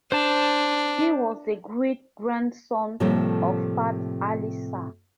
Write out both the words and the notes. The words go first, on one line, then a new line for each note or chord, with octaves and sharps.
He was the great grandson of Fath Ali Shah.
D4 C5 A5
A2 C3 F3 G3 A3 A#3